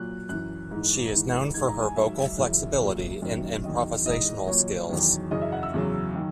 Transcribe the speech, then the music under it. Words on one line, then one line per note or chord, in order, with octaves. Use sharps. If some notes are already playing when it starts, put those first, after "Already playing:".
She is known for her vocal flexibility and improvisational skills.
Already playing: A#2 F#3 F#6
F#2 E3 F#6
G#2 E3
G#2 E3
G#2 E3 G#6
A#5
G#5
G#2 F#3 E5
F#2 C#3 E3
A#2 F#3
F#2 D#3 F#3
E2 D#3 F#3 D#5
G#2 E3 D#5
A#2 F#3 C#5
E2 D#3 F#3
F#2 C#3 E3 D#5
E5
F#5
E6
E2 C#3 F#3
D#3 F#3